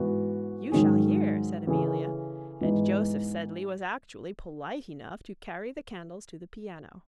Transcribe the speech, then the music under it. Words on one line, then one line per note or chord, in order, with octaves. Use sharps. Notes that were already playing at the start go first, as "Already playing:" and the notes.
"You shall hear," said Amelia; and Joseph Sedley was actually polite enough to carry the candles to the piano.
Already playing: G#2 E3 B3 F#4
G#2 D#3 F#3 C#4 G#4
C#3 E3 A3 C#4 G#4
G#2 E3 G#3 B3 D#4